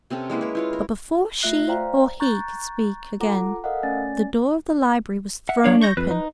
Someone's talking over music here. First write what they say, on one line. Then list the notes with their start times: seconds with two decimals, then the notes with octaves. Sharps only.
But before she or he could speak again, the door of the library was thrown open.
0.10 C3 C4 C#4 A4
0.30 G#3 A#3 E4 B4
0.41 B4 C#5
0.55 E4 F4 C#5
0.73 A#4
1.41 A3 F4 E5 F#6 A#6 C7
1.68 C5 D5 F5 G5 A#5
2.20 A#5 C#6 F#6 G6 A6
3.20 F4 A4 F#5 A#5 D6 A#6
3.64 A4 A#4 D#5 F5 F#5
3.83 A3 C#4 D5 G#5 A6
5.49 E5 F#5
5.64 F#3 D4 C#5 F5
5.81 C#6 G6 A#6
5.97 F2 B4
6.11 D#4